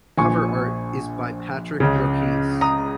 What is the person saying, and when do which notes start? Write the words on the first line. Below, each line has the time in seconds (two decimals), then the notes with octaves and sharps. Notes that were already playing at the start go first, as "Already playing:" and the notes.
Cover art is by Patrick Roques.
0.18 A#1 A#2 G#5 C#6
1.80 C#2 C#3
2.61 A#5 D#6